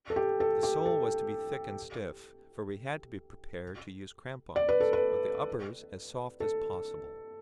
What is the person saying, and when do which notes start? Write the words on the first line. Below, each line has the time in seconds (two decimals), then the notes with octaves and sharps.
The sole was to be thick and stiff -- for we had to be prepared to use crampons -- but the uppers as soft as possible.
0.10 A4
0.16 G4
0.40 A4
0.63 G4
0.85 A4
4.56 D5
4.69 B4
4.80 A4
4.93 B4
6.40 A4